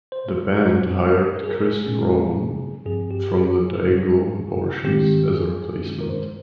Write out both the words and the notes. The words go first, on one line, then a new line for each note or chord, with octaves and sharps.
The band hired Chris Prohom from the Dayglo Abortions as a replacement.
C5
A#2 G#3 C4
A#4
G#4
A#4
G#4
A#2 G#3 C#4
G2 F3 C4 G#4
G4
G4
G#4
G#2 G3 C#4
G#2 D#3 G#3 C4 G4
G#4
G2 D#3 G#3 C#4
A#4
C5